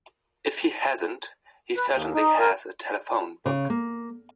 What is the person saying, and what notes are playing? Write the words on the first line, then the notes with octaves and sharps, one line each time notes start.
If he hasn't he certainly has a telephone book.
B4
D#2
D#4
A#4
C#3
A#3